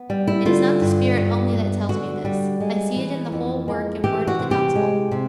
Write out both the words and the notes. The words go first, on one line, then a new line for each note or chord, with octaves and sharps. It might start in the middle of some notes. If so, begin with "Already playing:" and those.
It is not the spirit only that tells me this--I see it in the whole work and word of the Gospel.
Already playing: B3
G3
E4
D3 F4
G2
G2
B3
D3 F#4
G3
G#3
E3
F2
G#3
E3 G4
F#4
C3
G4
G#3
C3